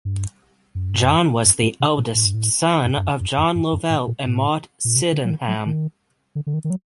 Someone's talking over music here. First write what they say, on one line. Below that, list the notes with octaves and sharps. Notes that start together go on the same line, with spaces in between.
John was the eldest son of John Lovel and Maud Sydenham.
G2
F#2
G2
F#2
G2
A2
C3
A#2
A2
G2
A2
G2
G2
F#2
F#2
F#2
G2
F#2
A2
A#2
A2
A#2
C3
D3
F#3
D#3
F#3
D#3
D3
D3
D#3
D#3
F#3